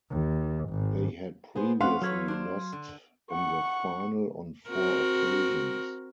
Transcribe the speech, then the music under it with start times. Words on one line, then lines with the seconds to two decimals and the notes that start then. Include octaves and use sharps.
They had previously lost in the final on four occasions.
0.10 D#2
0.69 G#1
1.56 B3 G#4 C5
1.81 A3 C4 C#4 B4 F5 F#5 C6
2.02 F#3 A4 B4 C#5 F6 G#6
2.28 D4 C5
2.73 D3
3.31 F#5 C#6
4.69 C4 F#4 A#4